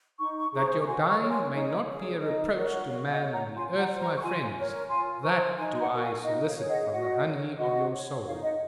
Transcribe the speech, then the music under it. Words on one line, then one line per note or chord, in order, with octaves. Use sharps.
That your dying may not be a reproach to man and the earth, my friends: that do I solicit from the honey of your soul.
D#4 C#6
C#6
G#4 C5 A#5 C#6
C#6
F#4 G#5 C6
A#5 C#6
A#4 C#5
G#5 C6
D#4 C#5
G#4 C#5
D#4 D#5
F#4 A#4 C#5
F#4 C#5 F5
F5
D#5 F#5
C#5
F#5 A#5
F4 G#5 C6
F#5 A#5
C5
F#5 A#5
C#6
F4 G#5 C6
A#4 C#5
F4 G#5 C6
C5 A#5 C#6
D#4 G#5 C6
C6
F#5 A#5
F#4 A#4
F5 G#5
D#4 D#5 F#5
C#5 F5
G#4 C#5
D#5 F#5
F5
F#4 D#5 F#5
C#5
F#4 D#5 F#5
C#5
D#4 C#5 F5
D#5 F#5